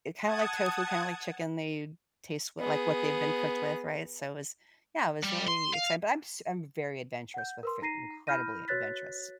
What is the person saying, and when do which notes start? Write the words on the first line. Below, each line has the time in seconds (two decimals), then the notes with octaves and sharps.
it kinda like tofu, kinda like chicken, they taste w like what they've been cooked with, right? So, it was Yeah, I was really excited. But I'm s I'm very adventurous with food, incredibly adventurous.
0.19 F#5 A5 D#6 G#6
2.60 B3 G#4
5.24 G3
5.48 C6
5.74 F5
7.34 F#5 G6
7.63 A#4 B4 C6
7.82 D#4 A#5 A#6 C7 D#7
8.27 E4 B5 F6 G6 A#6 D#7
8.68 F#4 B4 C#5 F#6 A6 B6